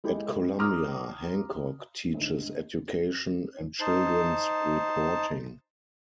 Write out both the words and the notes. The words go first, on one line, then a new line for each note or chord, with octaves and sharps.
At Columbia, Hancock teaches education and children's reporting.
G#3 E4 G4 A4
A#5 C6 D6 D#6 F6
D2 G#2
D#4 C5 A5